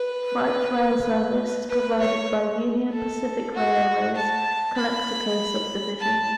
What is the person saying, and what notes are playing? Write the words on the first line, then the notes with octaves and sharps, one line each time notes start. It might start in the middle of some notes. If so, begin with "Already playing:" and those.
Freight rail service is provided by Union Pacific Railroad's Calexico Subdivision.
Already playing: B4
B4
C#5
A4
F#4
A5
B5
A5